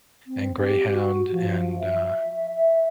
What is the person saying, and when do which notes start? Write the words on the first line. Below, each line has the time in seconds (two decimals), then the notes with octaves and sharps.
and Greyhound and, uh,
0.27 C4
0.58 G4
0.93 F#4
1.32 F3
1.79 E5
2.54 E5